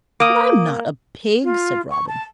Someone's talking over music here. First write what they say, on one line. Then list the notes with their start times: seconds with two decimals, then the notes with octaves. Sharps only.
"But I'm not a pig," said Robin.
0.20 A#3 D6 D#6
1.43 F4
1.90 C#6
2.07 A5